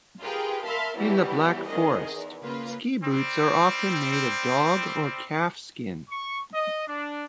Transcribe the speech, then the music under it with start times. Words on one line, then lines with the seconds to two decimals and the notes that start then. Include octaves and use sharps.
In the Black Forest ski boots are often made of dog or calf skin.
0.21 F4 G4 G#4 A#4 B4 G5
0.65 A#4 E5 F5 A5 B5 C6
0.96 B2 E3 F#3 G3 E4 G4
1.68 C2 D#3 G#4 D#5
2.13 E2
2.44 C#3 A#3 F4 B4
3.02 G3 C4
6.10 C#6
6.54 D#5
6.88 D4